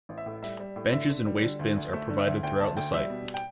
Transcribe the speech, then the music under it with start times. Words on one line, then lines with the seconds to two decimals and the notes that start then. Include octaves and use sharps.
Benches and waste bins are provided throughout the site.
0.09 A1
0.18 E5
0.26 A2
0.42 G3 E5
0.59 G3
0.76 A2
0.93 D3 E5
1.09 D3
1.26 G3
1.43 D3
1.59 D2
1.76 D2
1.93 A3 E5
2.10 D3
2.18 E5
2.27 D2
2.43 D2 G5
2.60 D2 A5
2.77 D2 G5
2.93 G3 E5
3.10 B2
3.34 G5